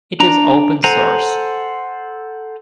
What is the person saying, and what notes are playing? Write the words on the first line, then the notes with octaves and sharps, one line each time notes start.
It is open source.
D4 A#5
A4 C5 F#5 G#5 A#5